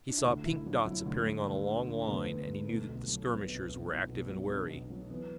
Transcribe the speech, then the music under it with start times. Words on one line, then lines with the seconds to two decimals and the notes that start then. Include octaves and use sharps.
He saw pink dots appearing on a long line and he knew that the skirmishers were active and wary.
0.09 D4
0.18 E4
0.25 D2 F#4
0.45 D2 E4
0.66 F#3 D4
0.86 F#3 E4
1.06 D2
1.27 D2
1.46 D2 D4
1.66 D3
1.87 D3
2.00 A3
2.07 D2 B3
2.27 D3
2.48 D2
2.68 B2 A3
2.88 B1
3.08 F#3
3.28 F#3 B3
3.48 B1
3.69 B1
3.89 B1 E4
4.08 B2
4.29 F#3
4.49 B1 D4
4.69 B1
4.90 F#3
5.10 E3 B3